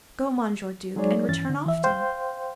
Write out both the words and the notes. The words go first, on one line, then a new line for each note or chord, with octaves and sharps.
Go, Monsieur Duke, and return often.
F#3 G#3 D#4 G#4 C#5 D5
G2 E3 C#4 A6
D3
E3 E5
C5 F5 G5 C6 G6